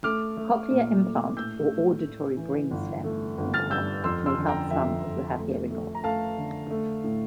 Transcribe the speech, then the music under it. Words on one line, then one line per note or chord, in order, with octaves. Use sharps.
A cochlear implant or auditory brainstem implant may help some who have hearing loss.
A3 D6 F6
A3
A#2
A3
A2 E6 G6
A3
A2
E3
G1
A3
G1
F6 A6
G2 E6 G6
F2 C6 E6
C6 E6
D3
G5 A#5
F2 E5 G5
F2
A3
A3
A#5
A3 F5 A5
D3
A3
A2